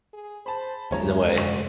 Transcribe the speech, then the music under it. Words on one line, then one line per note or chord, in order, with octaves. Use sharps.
in a way.
G#4
C5 A5 B5
F#1 D#2 C#3 F3 G#3 C#4 C#5 A#5
F1 D2 F#3 C#6